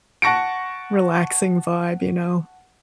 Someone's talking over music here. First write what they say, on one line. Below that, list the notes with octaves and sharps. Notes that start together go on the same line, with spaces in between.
relaxing vibe, you know,
F#5 A5 C#6 A#6 C#7 D7